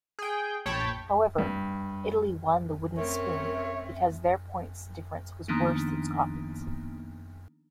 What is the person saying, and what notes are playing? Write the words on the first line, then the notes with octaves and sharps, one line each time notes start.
However, Italy won the wooden spoon because their points difference was worse than Scotland's.
G#4 G5
A#1 C#5 G5 A5 B5
G2
A3 C4 C#4 A#4 C#5 E5
D#3 F3 A#3 B3 D4 D#4